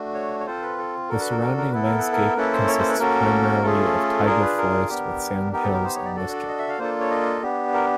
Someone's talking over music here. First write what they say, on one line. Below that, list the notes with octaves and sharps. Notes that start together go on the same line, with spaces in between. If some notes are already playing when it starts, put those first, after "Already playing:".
The surrounding landscape consists of primarily taiga forest with sand hills and muskeg.
Already playing: A3 D4 F#4
C#5
C#5
C4 F4 A4 C5
B4
A4
D4 F#4 A4 A#4
B4
A#4
A#4
A#4
B3 E4 A4 B4
A#4
B4
A#4
A#3 C#4 E4 A4 B4
C5
C#5
C5
B4
A#3 C#4 F#4 A4 A#4
A3 C#4 F4 G#4 A4
D4 F4 G#4 A#4
B4
A#4
B3 D4 G4
B3 D#4 G4 A#4
A4
A#4
C5
C#5
D5
D4 F#4 A4 D5
D5
D#5
E5
F5
A#3 D4 F4 A4 C5
C#5
D#5
B3 D4 G4
A#4